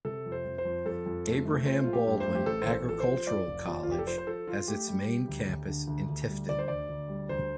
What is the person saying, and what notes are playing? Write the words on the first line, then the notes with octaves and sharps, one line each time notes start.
Abraham Baldwin Agricultural College has its main campus in Tifton.
C3 A4
F2
C5
F2
C5
F2
F2 A4
F2
A3
A3
F3 C5
A3 F4
G4
G2
C5
A3
G4
A1 A4
A1 C5
A4
F3 A4
C5
F3
F2 D5
F1
F3
F4
F1 G4
A4
F3 C5
C5
F3 A4
F3 F4
A3 G4
G3
G3
D2
D2
D3
D2
D2
G3
D2 D5
C5
D2 D5
D2
G3
D2 C5